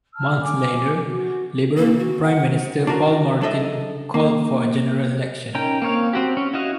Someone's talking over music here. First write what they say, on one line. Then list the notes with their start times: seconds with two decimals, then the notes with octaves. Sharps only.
Months later, Liberal Prime Minister Paul Martin called for a general election.
0.15 A5 E6 F6
0.41 G#5 D6
1.06 F#4
1.77 A#3
1.98 F#4
2.23 F#5
2.87 D4 F4 F#4 A#4
3.41 F#3 D4 E4 A4 D#5 E5
4.14 A#3
5.55 C#4 D#4 A#4 G5
5.82 A#3 C4 C#5 F5
6.13 C4 F#4 G4
6.37 C#4
6.53 E4 F#4 D#5 F5